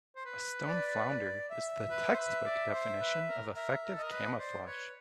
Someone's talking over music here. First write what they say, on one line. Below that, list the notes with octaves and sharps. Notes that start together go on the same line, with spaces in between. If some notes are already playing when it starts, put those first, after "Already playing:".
A stone flounder is the textbook definition of effective camouflage.
C5
B4
D5
D5
E5
B4
C5
B4
D5
C5
B4
A#4
A#4 E5
A#4
A4
D#5
A#4
B4
C5 D5
B4 C#5